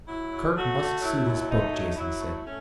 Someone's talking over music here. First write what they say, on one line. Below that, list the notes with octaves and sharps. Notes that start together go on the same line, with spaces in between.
"Kerk must see this book," Jason said.
F#3 E4
F#3
A3 F#4
A3
F#3 E4
D#2
A3 D#4
F#3
D#4
F#3 E4
A3
A3 C#4